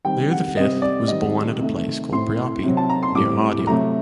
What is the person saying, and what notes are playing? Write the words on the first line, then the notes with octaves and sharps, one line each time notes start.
Leo the Fifth was born at a place called Priapi, near Ardea.
D#3 G3 C4 G5
F#5
C3 G3 C4 D#5
D5
D#3 G3 C4 D#5
C3 D#3 A3
A2 A3 C4 C6
C3 F#3 C4
A5
A#5
C6
A2 G3 C4 D6
C3 F#3 A3 A#5